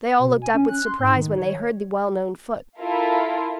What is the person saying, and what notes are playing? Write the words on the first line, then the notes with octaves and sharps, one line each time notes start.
They all looked up with surprise when they heard the well-known foot.
B2
G#5
C#4
F#6
C6
G#2
D#3
C#5
E4 F4 A4 A#4